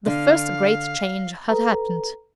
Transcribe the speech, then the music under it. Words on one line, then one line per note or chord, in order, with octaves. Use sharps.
The first great change had happened.
D3 F5
A4 B4 A#5